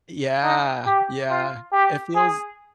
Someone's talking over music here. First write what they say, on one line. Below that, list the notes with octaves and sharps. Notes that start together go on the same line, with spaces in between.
Yeah, yeah, it feels
D#4
G4
F4
G4
G#4